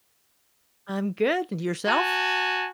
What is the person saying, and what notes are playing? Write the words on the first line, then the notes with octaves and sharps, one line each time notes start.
I'm good, and yourself?
F#4 G#5 A5